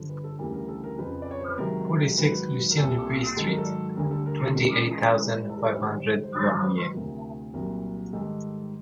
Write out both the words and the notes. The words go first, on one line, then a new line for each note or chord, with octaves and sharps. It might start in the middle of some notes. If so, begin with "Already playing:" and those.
Forty-six Lucien Dupuis Street, twenty-eight thousand five hundred Vernouillet.
Already playing: G2 D3 F3
B4
A4
D2 C#3 E3 G3 A#4
A#4
A4
A#4
F2 C#3 F3 B4
D5
C#5
C5
B4
C#2 C3 D#3 F#3 A#4
G#2 D#3 F#3 B4
A#4
C2 A#2 G3 A4
G#2 D#3 F#3 A4
A#4
A4
D2 D3 G3 A#4
A4
A#4
A4
C#2 C#3 E3 A#4
G#2 E3 G3 B4
A4
A#4
B4
G#2 D#3 G3 C5
C5
G#2 D#3 F#3 C#5
C5
B4
D2 C3 F3 A#4
C2 A#2 F#3 A#4
G#2 D#3 G3 A4